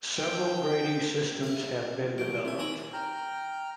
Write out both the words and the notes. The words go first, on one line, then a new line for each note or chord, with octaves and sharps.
Several grading systems have been developed.
G5
E4 F5
F3
C2 E3 F#3 G3 D7
C3 F3 E5 G#5
D#3 C#5 G#5 A#5 F#7
G5 A#5 F6 G6